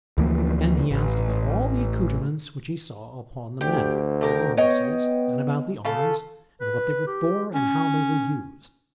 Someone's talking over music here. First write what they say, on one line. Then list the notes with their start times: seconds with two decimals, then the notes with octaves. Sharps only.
Then he asked about all the accoutrements which he saw upon the men and the horses, and about the arms, and what they were for, and how they were used.
0.18 D2 E3 F3 A#3
0.91 A1
3.61 D2 G4 G5
4.21 A3 G4 A#4
4.57 B3 C#5 D#5 G5
5.85 C#3 F4 A4
6.61 B4
7.07 G4
7.54 C#4